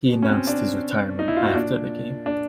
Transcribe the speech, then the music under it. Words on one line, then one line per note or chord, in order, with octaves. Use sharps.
He announced his retirement after the game.
B2
C#4
C4
D4
D#4
E4
F4
F#4
A#2 D4
D4